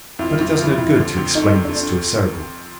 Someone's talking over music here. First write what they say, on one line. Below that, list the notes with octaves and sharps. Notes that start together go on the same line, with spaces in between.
But it does no good to explain this to a Cerebral.
F2 E4
F2
F3
F2
D3
F2
A3 D#4
C3
D4
A3